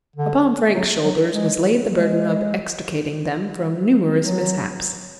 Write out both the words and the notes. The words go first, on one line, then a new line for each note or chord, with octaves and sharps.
Upon Frank's shoulders was laid the burden of extricating them from numerous mishaps.
D3
F#3
F#3
G#3
G#3
F#3